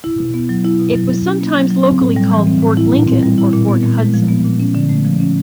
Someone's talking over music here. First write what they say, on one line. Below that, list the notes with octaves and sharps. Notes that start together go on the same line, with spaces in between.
It was sometimes locally called Fort Lincoln or Fort Hudson.
E4
B2
B3
F#3
E4
B2
F#3
F#3
C#4
A#3
F#3
F#3
C4
A2
G3
E3
C4
A2
E4
A#2
C4
G3
E4
A#2
B3
A#2
G#3
F3
B3
A#2
C#4
D3
A3
F3
C#4